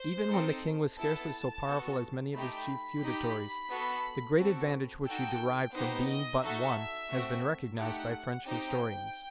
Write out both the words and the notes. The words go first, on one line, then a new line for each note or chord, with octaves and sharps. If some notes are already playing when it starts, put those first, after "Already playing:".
Even when the king was scarcely so powerful as many of his chief feudatories, the great advantage which he derived from being but one has been recognized by French historians.
Already playing: C5
C4 D#4 A4
B3 E4 A4 A5
B3 F#4 A4
A3 D#4 G4 B5
D#4 G4
B3 F#4 A4
C4 F#4 A4
D#4 F#4 A4 G5
B3 D#4 G4 C5
D#5
D#4 F#4 A4 E5
A3 C4 F#4
A3 D#4 G4 F#5
C4 D#4 G4 G5